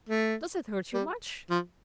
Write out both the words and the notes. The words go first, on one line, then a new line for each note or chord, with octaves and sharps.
Does it hurt you much?
A3
G3
F3